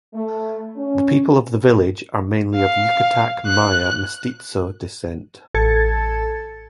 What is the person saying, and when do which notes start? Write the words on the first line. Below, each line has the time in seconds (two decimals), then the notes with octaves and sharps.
The people of the village are mainly of Yucatec Maya Mestizo Descent.
0.15 A3
0.77 C#4
2.55 F5
3.47 F#6
5.54 A1 A4 A5 G#6 A6 C#7